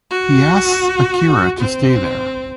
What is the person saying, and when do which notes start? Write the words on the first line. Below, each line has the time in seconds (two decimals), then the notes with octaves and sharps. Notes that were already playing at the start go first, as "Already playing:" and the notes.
He asks Akira to stay there.
0.10 F#4
1.60 C4